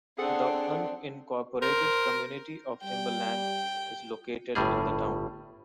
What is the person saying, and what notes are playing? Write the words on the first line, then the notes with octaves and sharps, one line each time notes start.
The unincorporated community of Timberland is located in the town.
C4 D4 G#4 A4 F#5
A#4 C5
G3 G5
G1 A2 G3 G#4